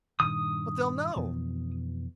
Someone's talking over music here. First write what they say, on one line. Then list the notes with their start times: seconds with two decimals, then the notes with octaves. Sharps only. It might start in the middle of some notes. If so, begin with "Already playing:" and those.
"But they'll know...."
0.20 G2 A#2 D#3 D#6
1.16 F2 B2 E3